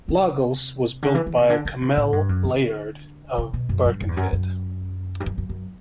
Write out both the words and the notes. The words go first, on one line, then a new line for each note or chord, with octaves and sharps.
"Lagos" was built by Cammell Laird of Birkenhead.
C3
D3
E3
E3
C3
D3
D3
B2
A2
G2
F#2
D3
C3
B2
F#2
G2
F#2
E2
F#2
F#2
G2
F#2
F#2
F#2